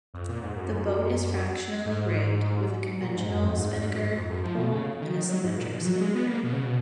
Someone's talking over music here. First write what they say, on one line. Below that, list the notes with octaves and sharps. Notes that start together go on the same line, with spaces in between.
The boat is fractionally rigged, with a conventional spinnaker pole and symmetric spinnaker.
F2
A#2
G#2
F#2
G#2
A#2
G#2
F#2
F2
G#2
G#2
F#2
G#2
F2
F#2
F3
B2
C#3
D#3
F#3
G#2
A#2
B2
F3
F#3
G#3
B3
A#3
B2
C#3
B2